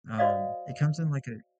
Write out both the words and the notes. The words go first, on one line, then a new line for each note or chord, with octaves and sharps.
Um, it comes in like a
F#4 C5 D5 D#5 F5 D#6